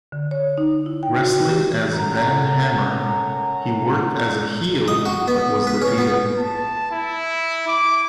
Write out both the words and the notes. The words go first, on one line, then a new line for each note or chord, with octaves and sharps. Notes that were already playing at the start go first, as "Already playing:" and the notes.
Wrestling as Van Hammer, he worked as a heel but was defeated.
D3
C#5
D#4
E4
G5
F#4
G4
C#4 A4 A#4 F#5 A#5
D#5
F#4
B3
B4
C#4
B3
A5
E4
D6